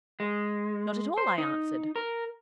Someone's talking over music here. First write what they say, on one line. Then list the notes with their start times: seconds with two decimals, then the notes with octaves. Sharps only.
'Not at all,' I answered.
0.20 G#3
1.18 C5
1.38 D#4
1.96 A#4